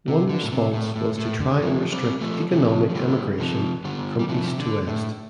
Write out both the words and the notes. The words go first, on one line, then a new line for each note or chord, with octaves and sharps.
One response was to try and restrict economic emigration from east to west.
C3
D3
A2
C3
A2
A2
A2
D3
C3 F3
G3 C4
F3 A3
C3 F3
F3
D3 G3
C3 F3
D3 G3
G3
C3 F3
C3
D3
A2